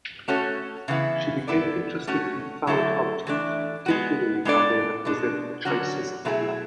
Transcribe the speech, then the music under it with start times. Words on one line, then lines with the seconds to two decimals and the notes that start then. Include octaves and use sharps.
She became interested in found objects, particularly how they represent traces of life.
0.28 A3 C#4 F#4 A4 C#5
0.88 C#3 E3 B3 E4
1.48 B3 E4 A4 D5
2.07 A3 C#4 F#4
2.67 D3 F#3 A3 E4 A4
3.27 E3 A3 D4
3.86 G#3 B3 F#4
4.45 G#3 B3 D4 A4 D5
5.05 B2 G#3 D4
5.65 D3 F#3 C#4 F#4
6.25 B2 F#3 A3 E4 G#4